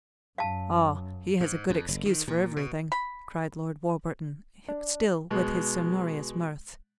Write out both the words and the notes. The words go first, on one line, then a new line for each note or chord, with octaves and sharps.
"Ah, he has a good excuse for everything!" cried Lord Warburton, still with his sonorous mirth.
F#2 F5 A5
G#2
F2
F#1
D#3
A#2
B2
B5
D4
B2 G#3